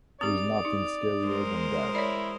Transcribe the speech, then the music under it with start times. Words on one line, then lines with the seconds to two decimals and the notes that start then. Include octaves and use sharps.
There is nothing scarier than that.
0.21 C4 G4 D5 D#6
0.65 D#4
1.24 G#3 A#4 C5
1.95 E4 C#5 D5